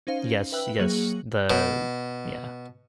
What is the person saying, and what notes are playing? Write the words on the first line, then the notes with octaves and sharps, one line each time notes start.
Yes, yes. The yeah.
C#4 D#4 C5 F5
B4 E5 G5 E6 F#6
F#3 A#3 G#4 C#7 F#7
B2